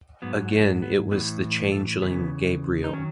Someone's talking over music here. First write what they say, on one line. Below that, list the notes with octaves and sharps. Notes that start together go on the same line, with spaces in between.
Again it was the changeling Gabriel.
G#2 F#3 B3
A3
B3
A2 E3 B3
A3
E2 C#3 E3 B3
D#4
D#3 F#3 C#4